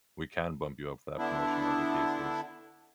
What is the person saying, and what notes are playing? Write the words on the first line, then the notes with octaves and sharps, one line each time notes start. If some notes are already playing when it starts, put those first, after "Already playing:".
we can bump you up for that promotion," or whatever the case is.
D3 B3 D4 E4